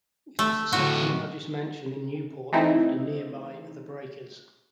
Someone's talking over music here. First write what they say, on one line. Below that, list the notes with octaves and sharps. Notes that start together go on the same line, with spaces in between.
It is the second largest mansion in Newport after nearby The Breakers.
A3
A2 D3 F#4
E3 A3 C4 D#4 E4